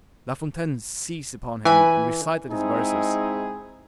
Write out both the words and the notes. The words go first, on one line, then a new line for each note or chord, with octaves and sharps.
La Fontaine seized upon him, and recited his verses.
E3 G#5 B5
G#3 C4 D#4 E4 G#4